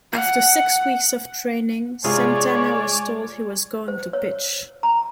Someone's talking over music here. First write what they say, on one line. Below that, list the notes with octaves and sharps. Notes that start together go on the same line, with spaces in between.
After six weeks of training, Santana was told he was going to pitch.
F#5
C3 G#3 F4 G#4 C#5 D5 G#5
C5
C#5
A#5